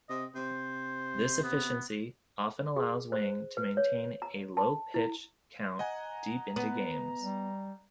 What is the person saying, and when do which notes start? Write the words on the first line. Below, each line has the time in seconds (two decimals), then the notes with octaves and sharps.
This efficiency often allows Wang to maintain a low pitch count deep into games.
0.09 C3 D#5
0.35 C3 C5
1.43 B3
2.76 G#4
3.12 C5
3.57 B4
3.77 C#5
4.22 A#5
4.57 A5
4.94 E4
5.79 D#5 F#5 G#5 A#5
6.56 B3
7.21 G3